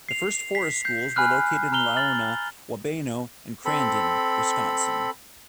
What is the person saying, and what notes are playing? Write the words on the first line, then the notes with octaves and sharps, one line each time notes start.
The first forest schools were located in Laona, Wabeno and Crandon, Wisconsin.
C7 F7
B6 C7
G6 C7
G#5 B5 F6 F#6
A#5 F6 F7 G7
F6 A6 F#7
C4 A4 B5